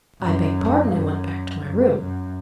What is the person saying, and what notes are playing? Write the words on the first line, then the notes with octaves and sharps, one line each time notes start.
I begged pardon and went back to my room.
F#2
F#2
F#2
F#2